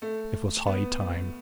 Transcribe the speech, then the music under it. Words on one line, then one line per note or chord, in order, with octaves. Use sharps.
It was high time.
A3
B3